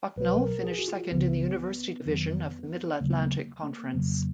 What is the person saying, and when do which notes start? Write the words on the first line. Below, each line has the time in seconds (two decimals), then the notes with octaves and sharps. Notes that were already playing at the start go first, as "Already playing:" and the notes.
Bucknell finished second in the University Division of the Middle Atlantic Conference.
0.16 B1 B2 F#3 B4
0.41 A#4
0.64 G#4
0.79 F#4
0.88 F4
1.11 C#2 C#3 F3 B3
2.06 F2 D#3 F#3
2.99 D#2 C#3 F#3 A#3
3.09 B3
3.19 A#3
3.63 A#3
3.93 F2 C#3 F#3